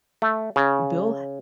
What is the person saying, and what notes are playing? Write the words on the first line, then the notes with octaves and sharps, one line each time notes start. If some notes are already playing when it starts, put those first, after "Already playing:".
Bill H
A3
C#3